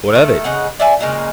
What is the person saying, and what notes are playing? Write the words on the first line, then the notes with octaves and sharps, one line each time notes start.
"What of it?"
D#3 A3
C#3 D#4 F#5
D5 E5 G#5
A#2 C#3 G#3 A#3